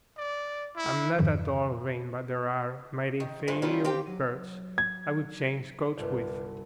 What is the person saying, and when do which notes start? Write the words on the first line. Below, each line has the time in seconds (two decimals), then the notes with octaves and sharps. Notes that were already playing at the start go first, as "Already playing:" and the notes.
"I'm not at all vain, but there are mighty few birds I would change coats with."
0.18 D5
0.76 E4
1.19 F2 G#2 D3 D#3 F3
3.20 D#3
3.47 G2 F3 A3 G#5
3.62 F#3 G3 B3 C#4 F4
3.84 C4 G4 F5 G5
4.06 F#3 A#6 D#7
4.78 G#6
5.97 G1 C2 B4 D5